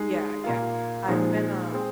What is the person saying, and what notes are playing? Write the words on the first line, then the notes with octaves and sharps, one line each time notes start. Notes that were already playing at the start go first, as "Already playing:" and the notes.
Yeah, yeah, I've been, um
Already playing: G#3 D#4 G#4
A#2 A#3 F4
A#2 F3 G#3 D#4
G#3 C4 G#4